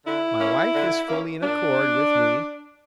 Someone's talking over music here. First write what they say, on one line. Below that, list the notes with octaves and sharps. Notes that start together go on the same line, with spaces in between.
My wife is fully in accord with me.
D3 E4
A#3 C#4
D3
A#3 C#4
A#2 D4